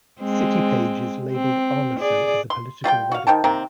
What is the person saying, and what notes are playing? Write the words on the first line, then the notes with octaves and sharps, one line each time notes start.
City Pages labelled Arnason as a political radical.
G#3 C4
C4
G#4 D5
C6
G3 F4 A#4 G5
F#4 F5
D#3 C5 G5 A5
C3 D#3 A#3 C4